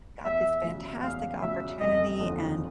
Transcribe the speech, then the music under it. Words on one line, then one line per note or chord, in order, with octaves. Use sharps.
got this fantastic opportunity and
E2 E5
C#3 F#3
E2 F5
C#3 F#3 E5
F1 D#5
D#2 D3 F3